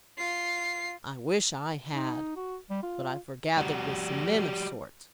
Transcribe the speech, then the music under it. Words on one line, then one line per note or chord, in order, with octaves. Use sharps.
'I wish I had; but I forgathered with some men of sorts.
F4 C7
D#4
F#4
G3
F4
G3 F#4